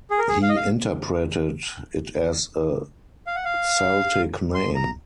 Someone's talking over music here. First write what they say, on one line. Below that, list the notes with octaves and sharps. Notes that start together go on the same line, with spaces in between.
He interpreted it as a Celtic name.
G#4
A#4
G#4
F5
D#5
F5
F5
F#5
F5
C6
A#5